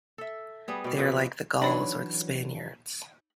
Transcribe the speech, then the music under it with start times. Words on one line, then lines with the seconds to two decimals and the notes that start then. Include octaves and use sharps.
They are like the Gauls or the Spaniards.
0.18 A4 E5
0.68 G3 B3 G#4
0.84 B2 D5
0.98 B2 D3 F3 B4
1.62 E3 F#3 D4 D#4 C#5 D5 B5